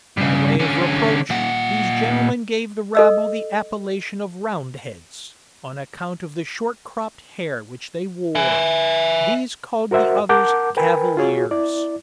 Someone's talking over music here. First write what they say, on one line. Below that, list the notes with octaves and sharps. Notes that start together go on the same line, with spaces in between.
By way of reproach, these gentlemen gave the rabble the appellation of Roundheads, on account of the short cropped hair which they wore: these called the others Cavaliers.
G2 C#3
D3 C#4
A#2 F#5
A4 D#5 E6
E5 G#5
F#4 A#4 C5 E5 F#5
A#4 F#5 A5 D6 G6
A#4 B4 G5 G#5 B5
F4 F#4 G#4 C#5
E4 D5